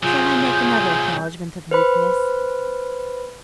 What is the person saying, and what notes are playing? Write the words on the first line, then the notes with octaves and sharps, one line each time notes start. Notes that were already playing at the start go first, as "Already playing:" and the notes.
Shall I make another acknowledgment of weakness?
C3 F#3 F4 G#4 G6
B4 C5 B5